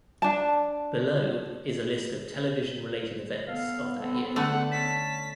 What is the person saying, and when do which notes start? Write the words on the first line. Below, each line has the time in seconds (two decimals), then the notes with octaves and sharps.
Below is a list of television-related events of that year.
0.22 D4 A5
3.48 B3 A4 F5
3.99 C4 A4
4.36 D3 A3 F#5
4.72 C#4 A5 B6